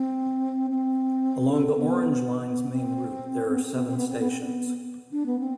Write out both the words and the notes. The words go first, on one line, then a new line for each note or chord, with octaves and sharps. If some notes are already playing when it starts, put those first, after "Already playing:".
Along the Orange Line's main route there are seven stations.
Already playing: C4
C4
A4
C4
B3
C4
B3
C4
B3
C4
B3
C4
B3
C4
B3
D4
B3
C4